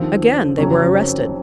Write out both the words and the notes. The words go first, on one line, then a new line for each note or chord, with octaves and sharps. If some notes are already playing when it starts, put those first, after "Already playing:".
Again they were arrested.
Already playing: D#2 D3 F3 C4
F#1 F2 C#3 F#3 C#4
C#4
C4